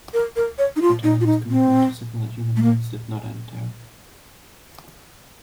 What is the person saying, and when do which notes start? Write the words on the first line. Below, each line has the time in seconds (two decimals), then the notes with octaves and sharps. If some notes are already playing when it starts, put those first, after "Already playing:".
Her tireless commitment to civil and human rights did not end there.
0.13 A#4
0.36 A#4
0.58 C#5
0.76 D#4
0.81 F4
1.03 D#4
1.21 F4
1.26 D#4
1.50 C4
2.56 A3
2.62 A#3